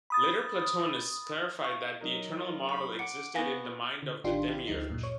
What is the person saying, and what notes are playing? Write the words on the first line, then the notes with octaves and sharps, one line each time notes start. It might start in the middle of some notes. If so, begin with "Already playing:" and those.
Later Platonists clarified that the eternal model existed in the mind of the Demiurge.
B5 D#6 A6
E5 F5 C#6
F#3 D#4 A#4
F4
B5 C#6
F#5 D6 C#7
B3 F#4 F5 G#5 A#6
D3
A1 D#3 D4 F4 G4 C6
E4 G4
D2 F3 D#4 C7
F#2 A#2
C#5